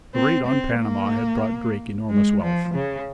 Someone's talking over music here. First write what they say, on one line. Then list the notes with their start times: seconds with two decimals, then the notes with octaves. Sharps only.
The raid on Panama had brought Drake enormous wealth.
0.15 C4
0.46 C4
0.79 A#3
2.10 G#3
2.43 F3
2.75 C#3